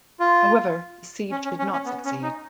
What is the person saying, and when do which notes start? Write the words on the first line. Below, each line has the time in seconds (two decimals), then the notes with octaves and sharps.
However the siege did not succeed.
0.20 F4
1.31 C#4
1.44 C#4
1.58 C#4
1.73 C#4
1.85 B3
2.05 C#4
2.22 D#4